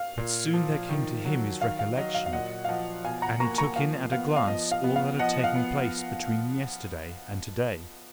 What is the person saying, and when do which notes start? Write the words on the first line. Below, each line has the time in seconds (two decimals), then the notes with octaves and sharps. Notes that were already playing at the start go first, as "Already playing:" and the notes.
But soon there came to him his recollection, and he took in at a glance all that had taken place between yesterday and to-day.
Already playing: F5
0.18 A#2
0.53 F3
0.89 D#3
1.25 F#3
1.61 D#3 F5
1.79 F5
1.97 F#3 D#5
2.14 F5
2.26 F5
2.33 A#2 D#5 F#5
2.65 F5
2.68 F3 D#5 F#5
3.04 B2 F5 G#5
3.22 F#5 A#5
3.40 A#3 A#5 C#6
3.58 A#5 C#6
3.76 F3 F5
4.12 B3 F5
4.36 F5
4.47 F3 D#5
4.71 F5
4.84 B3
4.96 F5
5.19 F3 D#5 F#5
5.44 F5
5.55 B3